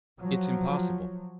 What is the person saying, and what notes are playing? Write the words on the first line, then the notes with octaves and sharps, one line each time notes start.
"It's impossible!"
F3 F#3